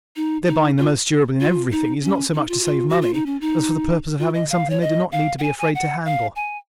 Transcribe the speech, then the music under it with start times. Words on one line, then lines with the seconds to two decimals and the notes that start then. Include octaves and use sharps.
Their buying the most durable in everything is not so much to save money as for the purpose of having something they do not need to be afraid to handle.
0.16 D#4
0.46 D#4
0.78 F4
1.40 F4
1.71 D#4
2.02 C#4
2.33 D#4
2.49 F4
2.60 F#4
2.64 F4
2.89 F#4
3.02 F4
3.14 D#4
3.26 C#4
3.41 D#4
4.19 F4
4.34 D#5
4.50 F5
4.70 C#5
4.81 D#5
5.12 F5
5.39 F#5
5.43 G#5
5.59 G#5
5.75 F#5
6.05 F5
6.36 G#5